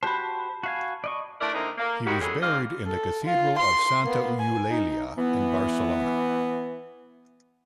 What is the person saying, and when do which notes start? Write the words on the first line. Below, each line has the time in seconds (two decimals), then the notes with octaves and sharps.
He was buried in the Cathedral of Santa Eulalia in Barcelona.
0.03 F#4 G4 C5 A5 B5
0.63 F#4 F5 G#5
1.04 D5 D#5 C#6
1.41 A3 D4 E4 A#4 D5
1.54 D3 A#3 C4 D#4 E4
1.78 A#3
2.06 D#3 G3 G#3 A#3 F#4 G4
2.21 C#3 E3 F#3 G#3 G#4 A4
2.42 G#2 C4 D5 D#5 F5
2.86 A4
3.25 F4
3.59 C6
4.04 A#3 B3
4.39 G#5
4.71 D#4
5.17 E3 B3